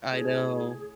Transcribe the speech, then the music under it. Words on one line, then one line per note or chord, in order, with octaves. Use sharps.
I know.
A2 G#4